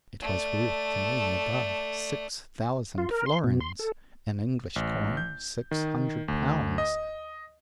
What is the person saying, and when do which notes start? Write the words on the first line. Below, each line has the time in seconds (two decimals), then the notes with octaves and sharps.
It was worth to me above six thousand florins, in English coin six hundred pounds.
0.22 A3 D5
2.98 F4
3.11 A#4
3.26 C6
3.44 B2
3.61 C6
3.79 A4
4.76 A1
5.17 G6
5.71 D#3
6.28 D2
6.78 D#5